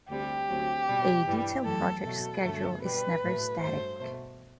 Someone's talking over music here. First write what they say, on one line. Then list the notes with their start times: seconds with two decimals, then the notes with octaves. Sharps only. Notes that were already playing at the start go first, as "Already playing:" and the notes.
A Detailed project schedule is never static.
0.10 D2 C3 G3 G4
0.49 D2 C3 F#3
0.88 B2 G3
1.26 G2 E3 G3
1.65 F#2 E3 A3 A4
2.05 B2 F#3 A3 A4
2.43 G2 D3 F#3 A3
2.82 B2 G3 B4
3.22 A2 F#3 A3
3.62 G2 F#3 A3 C5
4.00 B2 A3